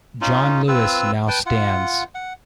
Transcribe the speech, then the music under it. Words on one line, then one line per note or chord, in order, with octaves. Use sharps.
John Lewis now stands.
C#4 D#4 F4
C4 F4 B4 E6
B4 G5 A5
F4 F#5
F#5